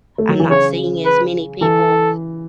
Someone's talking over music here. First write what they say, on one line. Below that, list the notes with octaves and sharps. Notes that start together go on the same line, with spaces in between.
I'm not seeing as many people
A3
F#3
E3
C#3 C#5
B4
E3 A4